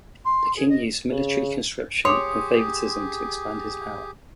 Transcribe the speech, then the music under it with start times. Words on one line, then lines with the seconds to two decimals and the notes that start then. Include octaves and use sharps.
The king used military conscription and favoritism to expand his power.
0.25 C6
0.56 G#4
0.69 D#5
1.10 C#3
2.05 G4 G#4 C#5 C6 D6 D#6